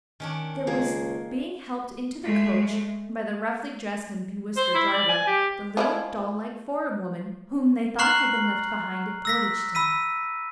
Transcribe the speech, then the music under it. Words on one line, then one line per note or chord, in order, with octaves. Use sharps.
There was being helped into the coach by the roughly dressed and bewhiskered driver, the little, doll-like, foreign woman whom they thought had been left behind at Portageton.
D#3 C#4 D4
C#2 A#3 G#4
G#3 A3
C5
E4
D5
G#5
G4
F3 G#3 E4
A#5 C#6 F6 F#6 C7 F#7
E6 A#6 B6
B5 E6 B6 D#7